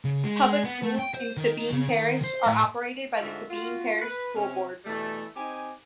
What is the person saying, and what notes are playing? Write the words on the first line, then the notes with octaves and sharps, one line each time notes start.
Public schools in Sabine Parish are operated by the Sabine Parish School Board.
C#3
G#3
B3
A3
G5
C5
D#3
C#3
D#3
C5
A2
G#2 D3 G3 F4 F#4 E5
F4 F#4
B4
C3 C#4
B2 E3 G3 A3
C4 D#4 G4 G#5